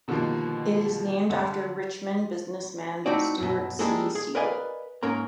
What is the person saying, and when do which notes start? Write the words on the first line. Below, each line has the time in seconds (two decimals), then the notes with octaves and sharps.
It is named after Richmond businessman Stuart C. Siegel.
0.08 B2 D3 D#3 F3 G3 A#3
1.30 D3 G3
3.06 A3 C4 D#4 E4 F#4 D5
3.40 F#2 B2
3.79 G3 G#3 A#3 E4 G#4 A4
4.15 G#4
4.35 A#4 B4 D5 D#5 F5 G#5
5.03 G#2 A#3 C#4 A#4 A#5